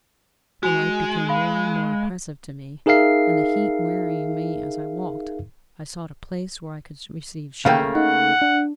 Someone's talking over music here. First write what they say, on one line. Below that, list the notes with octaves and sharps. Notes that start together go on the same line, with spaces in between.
The light became more and more oppressive to me, and the heat wearying me as I walked, I sought a place where I could receive shade.
G#3 F#4 G#5 F7
F5 B5
D#4 G#4 A#4 E5 F5 C7
C#3 A3 A#3 F5 G5
D#4 F#5
D4